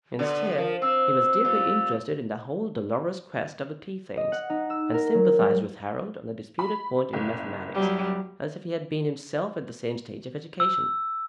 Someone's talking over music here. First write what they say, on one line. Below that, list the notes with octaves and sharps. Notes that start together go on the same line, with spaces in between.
Instead, he was deeply interested in the whole dolorous quest of the tea-things, and sympathised with Harold on the disputed point in mathematics as if he had been himself at the same stage of education.
D3 B3 D5
F3 A#4
C4 E6
A#2 G3
D#5
F#5
D#4
E6
A#4
F#3
G3
B5
F#1
F#3 G3
E6